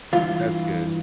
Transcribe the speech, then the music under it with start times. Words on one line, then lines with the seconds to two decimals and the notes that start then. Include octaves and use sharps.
That's good.
0.13 G2 E3 F4